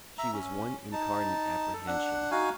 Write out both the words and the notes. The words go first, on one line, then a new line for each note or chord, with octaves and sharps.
She was one incarnate apprehension.
E5 A#5
C#4
D#4 A5
A4
D4 F#5
D#4 F#4 F5 G#5